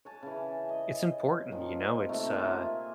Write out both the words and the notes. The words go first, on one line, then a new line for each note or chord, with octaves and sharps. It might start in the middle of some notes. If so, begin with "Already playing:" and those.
it's important, you know, it's, uh
C#5 G#5 A5
C#3 E3
D#5
A#2 D#3 F3
C3 A3 D#4
A#3 F4 E5 G#5